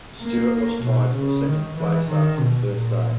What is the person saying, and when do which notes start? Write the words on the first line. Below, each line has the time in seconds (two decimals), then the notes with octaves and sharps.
Stewart was tied for second place after the first day.
0.21 A#3
0.83 B2
1.15 C#3
1.46 D#3
1.77 E3
2.09 D#3
2.39 B2
2.71 A#2